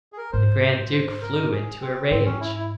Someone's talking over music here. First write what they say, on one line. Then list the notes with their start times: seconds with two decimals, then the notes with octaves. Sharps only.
The grand duke flew into a rage.
0.13 G#4
0.18 A#4
0.32 G#2 C5
0.93 C5
1.22 A#4
1.52 G#4
1.81 C4
2.11 G#2 C4
2.25 C#4
2.41 E4
2.56 E4